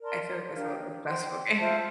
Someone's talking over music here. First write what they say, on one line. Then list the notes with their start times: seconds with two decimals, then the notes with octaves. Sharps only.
I feel like it's a little stressful game.
0.01 A#4 D5 A5 C6
0.53 D4 G4 A#4 F5
1.05 C5 G5 C6
1.57 F4 C5 E5 A5